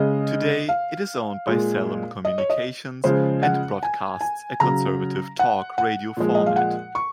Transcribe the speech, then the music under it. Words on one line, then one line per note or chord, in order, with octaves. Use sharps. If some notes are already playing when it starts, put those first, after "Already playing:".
Today, it is owned by Salem Communications and broadcasts a conservative talk radio format.
Already playing: C#3 G#3 D#5
F5
A#2 G#3
D#5
C#5
D#5
C#3 F3 G#3 C5
F#5
G#5
G#5
C#3 F#3 A#5
F#5
F#5
A#2 F3 G#3
D#5
F5
F#5
C#6